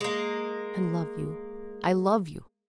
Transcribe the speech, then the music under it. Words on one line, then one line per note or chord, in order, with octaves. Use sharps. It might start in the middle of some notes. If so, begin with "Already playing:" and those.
I love you--I love you!
G#3 A#3